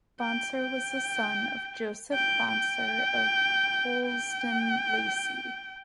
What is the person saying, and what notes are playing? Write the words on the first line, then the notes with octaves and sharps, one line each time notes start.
Bonsor was the son of Joseph Bonsor of Polesden Lacey.
G5
G5
G5
G5
G5